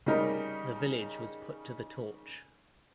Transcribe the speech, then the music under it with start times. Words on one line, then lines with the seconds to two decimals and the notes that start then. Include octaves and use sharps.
The village was put to the torch.
0.06 C#3 G3 D#4 A#4